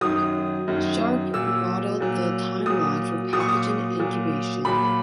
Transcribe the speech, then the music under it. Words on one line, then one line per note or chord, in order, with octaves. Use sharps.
Sharpe, modeled the time lag for pathogen incubation.
F#2 D#3 F#3 D#6
F#2 D#3 F#3
A#2 F#3 E6
A#2 F#3
A#2 F#3 D#6
A#2 F#3 D#6
C#6
D#6
A#2 F#3
A#2 F#3 B5